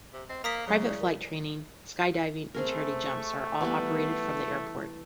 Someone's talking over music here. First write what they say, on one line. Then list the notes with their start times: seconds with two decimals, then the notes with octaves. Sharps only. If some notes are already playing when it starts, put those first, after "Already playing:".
Private flight training, skydiving and charity jumps are all operated from the airport.
0.14 C3
0.30 C4 D#5
0.44 A#3 A#5 D#6 B6
0.68 C#3 F#3
0.80 G#3 E4 D5
1.01 A#4
2.54 A3 C4 G#4 A#4
3.06 C#6
3.61 E3 G3 B3